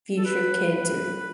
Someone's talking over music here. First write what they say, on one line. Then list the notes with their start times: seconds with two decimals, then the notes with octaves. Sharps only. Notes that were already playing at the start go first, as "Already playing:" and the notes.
future kids, or
0.18 A4
0.25 B4
0.64 B4